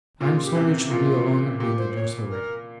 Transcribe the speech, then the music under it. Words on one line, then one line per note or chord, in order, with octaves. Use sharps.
I am sorry it should be along of me that you're so ready.'
A#2 C#3 F4
G4
C3 E3
A#2 C#3 F4
A#2 G4
C5
C#5
A#4